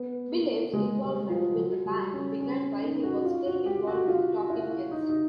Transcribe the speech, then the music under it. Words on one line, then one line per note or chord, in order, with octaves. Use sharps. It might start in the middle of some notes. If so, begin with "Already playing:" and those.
Belew's involvement with the band began while he was still involved with Talking Heads.
Already playing: B3
A#3
G#3
G3
F3
F3
F#3
G3
C#4
C#4
D#4
F#4
F4
F#4
G4
F#4
F4
E4
D#4
D#4